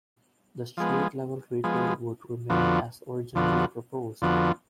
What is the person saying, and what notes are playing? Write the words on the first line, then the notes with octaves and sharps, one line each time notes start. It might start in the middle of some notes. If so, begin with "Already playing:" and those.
The street-level retail would remain as originally proposed.
F3 G#3 B3
F3 G#3 B3
F2 D3 F3 B3 F#4
F2 D3 F3 B3 F#4
F2 D3 F3 B3 F#4